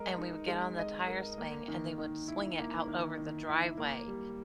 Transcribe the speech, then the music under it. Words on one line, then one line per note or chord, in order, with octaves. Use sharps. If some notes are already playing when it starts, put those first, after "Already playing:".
and we would get on the tire swing, and they would swing it out over the driveway.
Already playing: G#3 A#4 D#5
D#4
G#3
D#5
A#4
A#3
D#3
D#3
E4
A#3
D#3
D#3
E4
A#3
G3